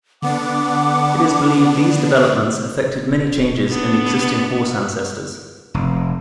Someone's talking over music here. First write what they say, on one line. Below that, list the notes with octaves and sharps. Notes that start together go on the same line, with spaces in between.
It is believed these developments affected many changes in the existing horse ancestors.
D3 B3 D4 F#5 D6
B3 D4
F1